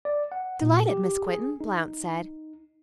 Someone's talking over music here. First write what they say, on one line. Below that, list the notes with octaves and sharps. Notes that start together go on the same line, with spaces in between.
"Delighted, Miss Quinton," Blount said.
D5
F#5
A#2
G4
G#4
D#4